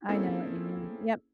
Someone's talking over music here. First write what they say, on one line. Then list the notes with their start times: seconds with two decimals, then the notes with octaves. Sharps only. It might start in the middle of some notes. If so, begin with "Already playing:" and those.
I know what you mean, yep.
0.09 A#3 C4 C#4 E4 G#4 A4